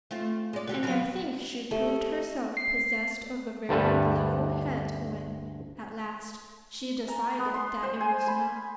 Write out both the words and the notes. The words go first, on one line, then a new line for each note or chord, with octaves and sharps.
And I think she proved herself possessed of a very "level head" when, at last, she decided that it was not.
A3 C4 F4
G#3 D5
D3 F#4 G4 A4
D#3 F3 F#3 B3 D4 F5
A3 G4 A4 E5
C7
D2 G2 D3 G3 A4 B4
A#5
B3
C6
C5
G#5
B5